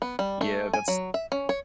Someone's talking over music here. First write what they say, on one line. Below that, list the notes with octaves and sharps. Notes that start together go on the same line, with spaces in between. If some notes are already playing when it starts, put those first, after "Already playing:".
Yeah, that's
B3
G3
A3
G#5
F#3
E5
C#4
C#5